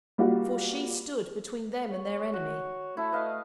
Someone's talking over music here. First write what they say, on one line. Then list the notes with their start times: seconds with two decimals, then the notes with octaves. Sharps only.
For she stood between them and their enemy.
0.18 G3 A#3 F4 F#4
1.90 C#5
2.33 F#4
2.97 A3 E4
3.12 B4 D#5 F5